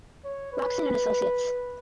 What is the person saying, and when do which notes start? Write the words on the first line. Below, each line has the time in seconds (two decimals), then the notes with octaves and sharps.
Locsin and Associates.
0.24 C#5
0.53 B4